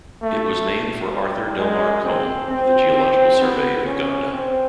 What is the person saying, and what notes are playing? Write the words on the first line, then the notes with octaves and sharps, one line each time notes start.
It was named for Arthur Delmar Combe of the Geological Survey of Uganda.
A3
G3
G#3
C4
C4
C4
B3
C#4
C4